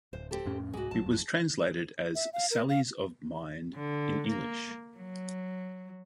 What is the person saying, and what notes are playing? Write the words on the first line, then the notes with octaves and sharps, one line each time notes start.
It was translated as "Sallies of Mind" in English.
D1 C5
C4 G4 A4
F2 A2 C#4
C2 G#2 G#3 F#4
A#1 F#3 A5
G1 F2
E5
F5
A#4
F5
D3
A#3
F#3